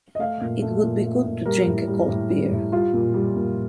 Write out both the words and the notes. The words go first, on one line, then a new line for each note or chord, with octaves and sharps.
It would be good to drink a cold beer.
D#5
A3 F5
A#2
A3
A#2
A3
A#2
G3 A#4
A2
G3
A2 G4
G3
A2
G3 F4
A#2
G3
A#2